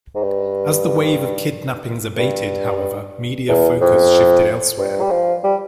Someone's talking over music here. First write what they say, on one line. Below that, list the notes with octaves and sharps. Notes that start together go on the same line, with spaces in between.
As the wave of kidnappings abated, however, media focus shifted elsewhere.
G#2
G2
G2
E2
F2
G2
G3
F3
G3